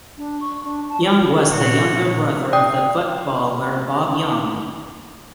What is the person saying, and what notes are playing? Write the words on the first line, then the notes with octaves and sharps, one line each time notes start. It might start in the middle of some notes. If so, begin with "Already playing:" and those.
Young was the younger brother of footballer Bob Young.
D4
C#6
D4
A5
E1
A#2 F#4
D5 G5 D#6